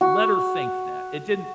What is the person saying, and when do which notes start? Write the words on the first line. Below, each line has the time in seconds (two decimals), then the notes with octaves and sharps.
let her think that, it didn't
0.01 F#4